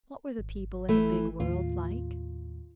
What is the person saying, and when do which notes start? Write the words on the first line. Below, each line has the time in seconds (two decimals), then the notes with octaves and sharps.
What were the people in the big world like?
0.39 G#1
0.89 E3 A3
1.40 D#2 A2 F4